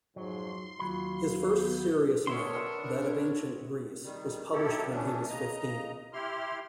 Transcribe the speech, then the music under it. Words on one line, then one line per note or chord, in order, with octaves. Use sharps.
His first serious map, that of Ancient Greece, was published when he was fifteen.
F2 G#2 F#3 C6
D#2 F#3 F4 F#4 B5
B3 G6
D3 B3 D4 A#4 C#5 E5 C6
D#3 G3
D#3 F#3 A#3 E4 G4 A4
E3 F#3 A3 B3 C#4 D4
C#3 D#5 A#5
E4 G4 C6 F6